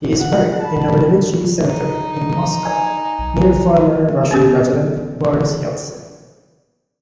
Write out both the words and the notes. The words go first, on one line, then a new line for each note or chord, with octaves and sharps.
He is buried in Novodevichy Cemetery in Moscow near former Russian President Boris Yeltsin.
F#5
A5 B5
D#4
G#5
B1
B3 C#4 G4 A4